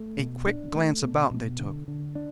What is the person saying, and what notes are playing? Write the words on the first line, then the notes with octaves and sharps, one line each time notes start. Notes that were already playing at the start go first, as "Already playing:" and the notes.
A quick glance about they took.
Already playing: A3
B2
D4
A3
B2
B2
D3
D3
D4